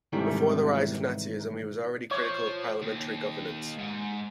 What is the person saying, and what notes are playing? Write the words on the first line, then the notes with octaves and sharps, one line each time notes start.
Before the rise of Nazism, he was already critical of parliamentary governance.
G#2 C3 D#3 E3 G3 A3
F3 C#5
D#2
G#2